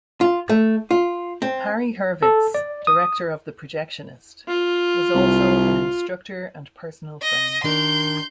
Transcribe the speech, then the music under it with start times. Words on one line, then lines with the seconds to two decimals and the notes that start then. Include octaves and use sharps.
Harry Hurwitz, director of "The Projectionist" was also an instructor and personal friend.
0.21 F4
0.49 A3
0.91 F4
1.42 C4
2.22 A4
2.54 D5
2.87 D#6
4.48 F4
5.15 C2
7.22 D#5
7.64 D#3 D4 A#4 C6 G6